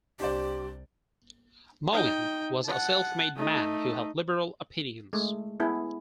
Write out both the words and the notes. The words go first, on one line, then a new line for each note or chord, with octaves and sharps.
Morgan was a self-made man who had liberal opinions.
C2 D4 G4 C5 D5
D#4 G5
F#5 A5
A3 D#4
G#3 A3
B3 E4 G#4